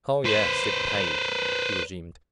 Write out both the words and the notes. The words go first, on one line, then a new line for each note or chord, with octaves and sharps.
"Oh yes, it paid," he resumed.
B4 C5